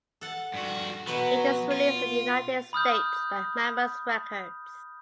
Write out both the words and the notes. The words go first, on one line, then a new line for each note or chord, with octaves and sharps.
It was released in the United States by Mammoth Records.
A4 F#5 A5
G2 F#4
B2 F#3 B3 B4
F4
B5 D#6 F6 G6